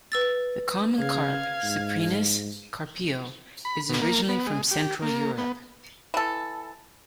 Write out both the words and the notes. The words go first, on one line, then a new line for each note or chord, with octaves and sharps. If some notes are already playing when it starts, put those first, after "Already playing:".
The common carp, "Cyprinus carpio", is originally from Central Europe.
B4 E6 A6
C#3 F5 G#6
G#2
B5
B2
A#3
B3
G#3
G4
A#3
B3
E3 A4